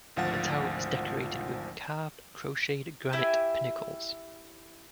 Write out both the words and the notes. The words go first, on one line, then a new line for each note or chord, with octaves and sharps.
The tower is decorated with carved crotcheted granite pinnacles.
G#1 D2 F3 F5 F#5 A6
E4 G4 E5 G#5